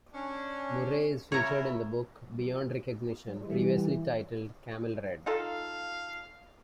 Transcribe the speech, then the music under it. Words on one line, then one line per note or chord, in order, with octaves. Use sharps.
Murray is featured in the book "Beyond Recognition", previously titled "Camel Red".
C#4 D4
C#3 E4 A#4 C#5 A#5
E3 G3
D#4 F4 A4 F5